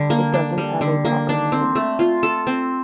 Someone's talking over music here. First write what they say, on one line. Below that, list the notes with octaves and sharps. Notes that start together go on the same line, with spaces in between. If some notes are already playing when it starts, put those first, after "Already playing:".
It doesn't have a proper name.
Already playing: D3 G3
A#3
D4
G3
D3
A#3
D4
C4
A3
F4
A4
C4